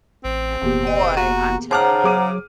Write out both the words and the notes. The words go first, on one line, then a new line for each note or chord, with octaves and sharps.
And boy, I'm telling you,
A1 C4
F1 E2 A#2 G4
D#5
A#3 F#4
C#3 C5 F#5 A5 A#5 D6 F6
F#3 G#4 D6 D#7